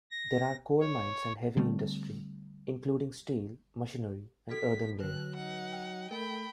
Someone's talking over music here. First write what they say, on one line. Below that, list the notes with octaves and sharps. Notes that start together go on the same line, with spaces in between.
There are coal mines and heavy industry, including steel, machinery, and earthenware.
A#6
C#5
D3 G3 A3 C4
F#4 A4 B6
D3 F#3 B4 F#6
D#4 F#5
G5
A3 A#4 G5 B5